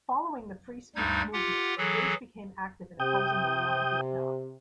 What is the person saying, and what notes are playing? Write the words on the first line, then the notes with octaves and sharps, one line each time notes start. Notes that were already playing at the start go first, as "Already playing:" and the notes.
Following the Free Speech Movement, Gage became active in opposing the war in Vietnam.
D2 G2 G3 D#4 G#6
F4 G4 F#5
E3 F#3 G#4 A4
C3 G5 D#6 G6